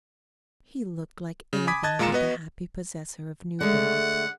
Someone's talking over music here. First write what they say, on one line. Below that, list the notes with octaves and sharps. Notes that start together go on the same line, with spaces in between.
He looked like anything but the happy possessor of new wealth.
C#3
G#5 B5 D6 D#6 G#6 B6
D#5 A5 F#6 G#6 A6
A#2 G#3 F4 A#5 C#7 E7
B3 F#4 B4 D#5
D3 G#3 A3 F#5